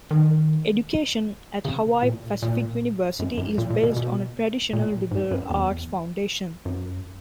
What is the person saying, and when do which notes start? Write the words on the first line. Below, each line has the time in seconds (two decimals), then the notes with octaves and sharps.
Education at Hawaii Pacific University is based on a traditional liberal arts foundation.
0.11 D#3
1.65 C#3
2.03 A#2
2.42 A#2
3.19 F#2
3.37 F#2
3.58 A#2
3.70 A#2
3.83 B2
3.96 B2
4.73 A#2
5.11 G#2
5.31 F#2
5.50 E2
6.65 F#2